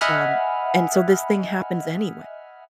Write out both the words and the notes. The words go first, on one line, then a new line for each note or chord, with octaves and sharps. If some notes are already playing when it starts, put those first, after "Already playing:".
um, and so this thing happens anyway.
D#5 E5 F#5 G#5 B5 F6